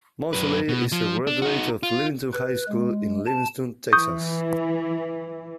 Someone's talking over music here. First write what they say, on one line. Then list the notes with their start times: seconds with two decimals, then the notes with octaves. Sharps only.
Moseley is a graduate of Livingston High School in Livingston, Texas.
0.33 F#2 B4
0.68 B2
0.92 F3
1.27 D4
1.42 D#4 F#4
1.83 F4
2.33 B4
2.68 G#3
3.26 A5
3.93 E3 C#6 D#6 G6